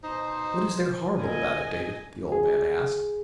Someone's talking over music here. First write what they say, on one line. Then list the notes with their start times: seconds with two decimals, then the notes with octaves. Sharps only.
"What is there horrible about it, David?" the old man asked.
0.03 B2 D#4 C5
1.19 A#2 D#3 G3 D#5 G#5
2.32 G#4